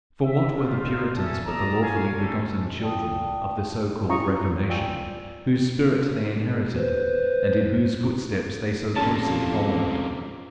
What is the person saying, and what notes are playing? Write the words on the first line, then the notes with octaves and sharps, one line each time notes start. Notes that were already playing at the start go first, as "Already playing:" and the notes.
For what were the puritans but the lawfully-begotten children of the so called reformation, whose spirit they inherited, and in whose footsteps they so closely followed?
E5
D#4 F4 A#4 C5 D5 F5
A#3 C#4 G#4 A4 E5 A5
D5 D#5 A5 A#5
C#5 F5 G#5
G3 C#4 A4
D5 G5 A5 D#6
C#4 E4 F4 A#5 C#6 D#6
F4 D5 G5 G#5 E6
B4 C5
F2 C3 A#3 C#4 A5